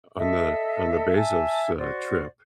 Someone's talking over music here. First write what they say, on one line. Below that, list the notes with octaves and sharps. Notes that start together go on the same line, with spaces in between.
o on the on the Bezos, uh, trip.
A4 D#5 E5
E5 G#5 A5
F#4 C5 D5